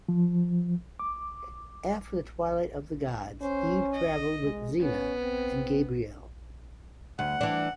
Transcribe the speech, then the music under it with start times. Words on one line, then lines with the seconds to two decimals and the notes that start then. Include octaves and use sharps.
After the Twilight of the Gods, Eve travelled with Xena and Gabrielle.
0.09 F3
0.99 D6
3.42 C#4 C5
3.94 D#5
4.43 G#3
4.81 B3 C#4
5.22 C4
7.19 D2 F#5
7.41 E3 D4